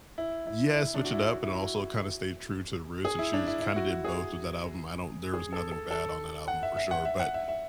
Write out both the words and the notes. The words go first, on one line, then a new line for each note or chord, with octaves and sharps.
yeah, switch it up, but also kinda stay true to their roots, and she's kinda did both with that album. I don't there was nothing bad on that album for sure, but
E4
E4
E4
D4
F#4
E4
F#4
E4
F#4
G#4
E4
D4
E4
E4
F#4
F#4
G#4
G#4
A4
A4
A4
F#5
E5
E5
F#5
E5
F#5
E5
E5